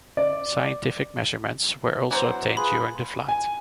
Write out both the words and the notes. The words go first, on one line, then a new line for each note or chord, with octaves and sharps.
Scientific measurements were also obtained during the flight.
D5
E3 F#3 B3 C5
F4 G#4 B4 B5
G#5